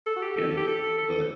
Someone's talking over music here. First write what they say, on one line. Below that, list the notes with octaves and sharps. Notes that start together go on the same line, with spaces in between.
you know, but
A4
F#4
G4
A4
G4
A4
A4